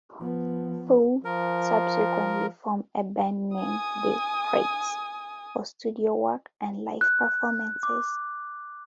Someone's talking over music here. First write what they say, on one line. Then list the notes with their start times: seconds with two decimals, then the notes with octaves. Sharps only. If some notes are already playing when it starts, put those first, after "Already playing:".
Fu subsequently formed a band named "The Krates" for studio work and live performances.
0.20 F3 B3
1.25 F3 A#4
3.56 G#5 D#6
7.01 F#6
7.83 D6